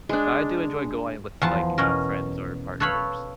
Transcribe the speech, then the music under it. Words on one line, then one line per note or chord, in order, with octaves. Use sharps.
but I do enjoy going with like, you know, friends or partners
G#3 D4
E2 F3 A5
B2 C#4 A#4
A4 B4 C#5 F5 B5